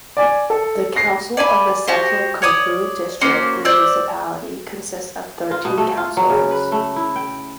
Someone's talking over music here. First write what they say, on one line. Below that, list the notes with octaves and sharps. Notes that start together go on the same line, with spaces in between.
The council of the Central Karoo District Municipality consists of thirteen councillors.
D5 G#5
A4
A#6 C7
D5 G#5 B5
F#4 G4 C5
C#5 D5 D#6
A#3 C#4 F#4 C5
C5 D5 E6
F4
B2
A3
F4
F#3
C#3
B4
A3
E4
G5